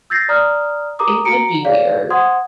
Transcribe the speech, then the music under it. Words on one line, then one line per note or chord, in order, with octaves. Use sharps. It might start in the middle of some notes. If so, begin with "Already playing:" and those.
It would be weird.
E6 G6 A6 A#6 C7
D5 A#5 D#6 F6
G4 A#4 A#5 D6 D#6
F#4 A#5 C#7 D7
G#4 C#5 D5 F5
C5 F#5 C6 D#6 G#6